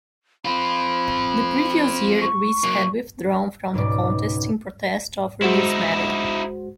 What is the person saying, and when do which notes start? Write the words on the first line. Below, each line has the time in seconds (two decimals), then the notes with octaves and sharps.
The previous year Greece had withdrawn from the contest in protest over this matter.
0.45 C4 F4 B5
2.21 C#6
2.64 F#3 A#3
3.74 C#2 G#2 B2 D5
5.42 G#3 D#4 E4 F#4 C5